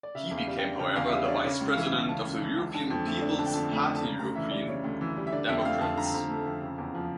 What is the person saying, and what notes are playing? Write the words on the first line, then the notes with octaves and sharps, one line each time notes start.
He became, however, the Vice-President of the European People's Party-European Democrats.
D5
C#3 E5
E2
F5
G3
G5
D4
C#3 G5
E2 F5
E5
G3 F5
C#5
D4 D5
C#3 C#5
C#2
F5
E3 E5
C#2
C#3 A5
C#2
E3
C#2
D3 A5
F2
A3
D4
D3 A5
G5
F2 A5
A3
D4
A5
C#3 A#5
D2 A#5
E3 E5
G3 D5
C#3 C#5
D2
E3
G3
E5
D3 D5
F2 E5
G5
A3 F5
F2 A5
D3 A#5
A5
F2 A#5
A3
F2
C#3
E2
F3